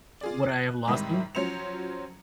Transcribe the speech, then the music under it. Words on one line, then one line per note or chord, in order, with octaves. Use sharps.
Would I have lost them?
F4 G#4 D5
F#6
G#2 C3 D#3 G3 E4
F3 F#3 C#4 C5 C#7 F7